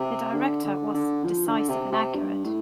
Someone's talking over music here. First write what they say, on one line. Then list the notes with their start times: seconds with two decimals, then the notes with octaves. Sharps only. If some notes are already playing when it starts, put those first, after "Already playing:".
The Director was decisive and accurate.
Already playing: C3
0.33 D3
0.64 D3
0.94 D3
1.24 F3
1.47 D3
1.69 C3
1.92 C3
2.14 G2
2.45 A2